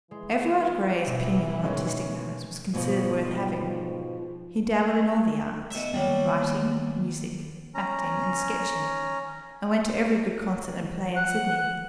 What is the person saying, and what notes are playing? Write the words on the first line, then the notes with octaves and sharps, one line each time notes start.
Everard Grey's opinion on artistic matters was considered worth having. He dabbled in all the arts--writing, music, acting, and sketching, and went to every good concert and play in Sydney.
E3 G#3
A1 B2
D#3 G#3 C#4
G#2 B2 E3 F3
B2 E5
D#3 F#3 G3 A#3 B3
C#4 A#5
F#5